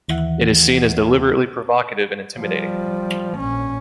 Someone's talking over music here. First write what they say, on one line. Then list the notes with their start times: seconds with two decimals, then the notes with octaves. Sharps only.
It is seen as deliberately provocative and intimidating.
0.08 D#2 E3 E5 F#5
2.39 F3 G3
3.38 A#1 C#4